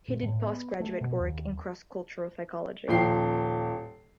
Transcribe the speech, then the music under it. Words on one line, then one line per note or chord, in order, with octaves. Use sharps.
He did post-graduate work in cross-cultural psychology.
A#2
A2
B3
A3
B2
D#2
D#1 F3 G5 C7